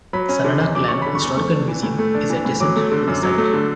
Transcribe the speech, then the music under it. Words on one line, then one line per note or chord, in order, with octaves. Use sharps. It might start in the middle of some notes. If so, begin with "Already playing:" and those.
Sanada clan Historical Museum is adjacent to the site.
F#3 B5
C#4
D3
E2
F#3 D6
C#4 C#6
D3 B5
C#6
E2
A3 C#6
D4
E3
A2
A3
D4
E3
A2
F#3 D6
A3
D3
F#2
F#3
A3
D3